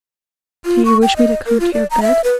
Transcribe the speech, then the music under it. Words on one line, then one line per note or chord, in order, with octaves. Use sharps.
"Do you wish me to come to your bed?"
F4
C#6
G5
D#5
A#4
F4
D5
A#5
E5
B4